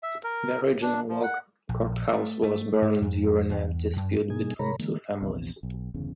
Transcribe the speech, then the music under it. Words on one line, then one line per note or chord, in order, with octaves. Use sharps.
The original log courthouse was burned during a dispute between two families.
E5
A#4
D4
F3
F#5
A#1
A3
A3
G#2
F2
E2
F#2
B2 G3 A#3 D#4 G#4 G#5
C3 A#4 C#5 A#5 B5
D3 E3 G#3 A#3
A#1 E2 C3
B1
G1 E2 C#3